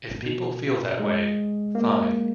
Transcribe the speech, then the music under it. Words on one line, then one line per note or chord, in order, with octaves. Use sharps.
If people feel that way - fine.
B2
G#3
A#3